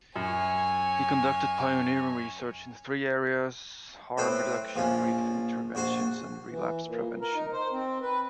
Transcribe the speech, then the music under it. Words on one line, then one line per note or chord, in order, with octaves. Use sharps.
He conducted pioneering research in three areas: harm reduction, brief interventions, and relapse prevention.
F#2 C#5 G#5
A2 C4 B4 C5
A#1 F3 C#4
A#1 F#4 C5 C6
E3
A#2
A#4
D#4
C5
C4
B4